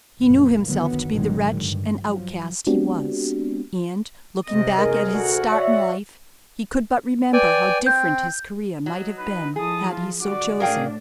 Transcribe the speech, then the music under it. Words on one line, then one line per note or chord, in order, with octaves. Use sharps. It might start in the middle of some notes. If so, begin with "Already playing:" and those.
He knew himself to be the wretch and outcast he was; and, looking back at his start in life, he could but remember how different his career might have been had he so chosen.
F#1 F#2 A#2 F3 A#3
F#2 D3 D#3 F#3 B3
A1 A2 D3 D#3 F#3 G#3
G2
F3 F#3
G#3 B3 C4 D4 F#4 G4
C3 D#5
D#3 G#4 A#4
D2 F#4 F#5
C#5 D5 E5
B4 D5 G5 G#5
C4 G6
F#3 D#5
D#4 B4
F3 E4 G#4 A5 D#6
F4
D3 G3 F#4 D5 D6
A2 D4 G#4 A#4 F5 G5